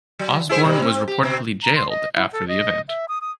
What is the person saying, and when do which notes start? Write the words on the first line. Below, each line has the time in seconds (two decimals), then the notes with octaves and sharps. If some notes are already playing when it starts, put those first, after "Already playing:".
Osborn was reportedly jailed after the event.
0.19 F#3
0.49 E4 G#4 C5
0.64 B2 G3
0.82 C4
1.08 G4
1.23 B2 C4
1.63 A#5
1.76 C6
1.90 D#5
2.16 E4
2.33 A4
2.48 D#5
2.88 E5
3.08 D#6
3.21 D#6